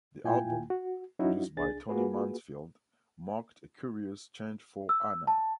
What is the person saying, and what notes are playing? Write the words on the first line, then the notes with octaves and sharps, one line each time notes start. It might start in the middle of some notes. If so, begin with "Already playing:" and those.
The album, produced by Tony Mansfield, marked a curious change for Ana.
A#2 E4 F4 G5 G#5
F#4
F#3 C#4 D#4 E4 F#4
C2 D4 G#4 A6
A#3 F4 F#4 G#4 B4
E6
A5